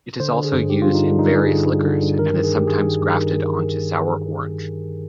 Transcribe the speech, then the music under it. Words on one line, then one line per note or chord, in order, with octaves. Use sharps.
It is also used in various liquors and is sometimes grafted onto sour orange.
D3 C5
D3
G#4
G2
G2 G4
F4
G2
D#4
D3 D4
G2 D#4
D3 G#4
D3
G2
D3
G2
D#3 A#4
D#3
G#4
G2 G4
G2 G#4
D#3
G2
D#3